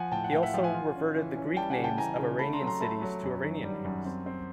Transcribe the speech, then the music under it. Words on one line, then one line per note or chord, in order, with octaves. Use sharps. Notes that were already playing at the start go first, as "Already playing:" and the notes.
He also reverted the Greek names of Iranian cities to Iranian names.
Already playing: F3 F#5 G#5
A2 G5 A5
F#5
A2 F5 G5
E5 F#5
F3 F5 G5
F#5 G#5
F4
C#4
E3
C#4
G3 G5 A5
F#5 G#5
C#3
G5 A5
E3 G#5 A#5
C#3
A3 A5 B5
A#5 C6
F#3
A#5 C6
A3 A5 B5
F#3
F#2
D#3
G3
F#2
C4
C4